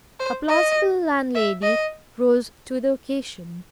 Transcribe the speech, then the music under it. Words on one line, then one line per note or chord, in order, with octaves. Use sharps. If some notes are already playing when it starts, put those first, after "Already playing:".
A plausible landlady rose to the occasion.
C5
D#5
E5
D#5